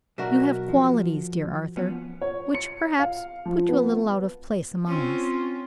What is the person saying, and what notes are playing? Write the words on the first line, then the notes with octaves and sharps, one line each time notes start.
You have qualities, dear Arthur, which perhaps put you a little out of place among us.
B1 D4 F#4 A#4 E5
F3
F3 B3 C#4
C#5
C#7
F5
F3
B3
C4 C#4 F4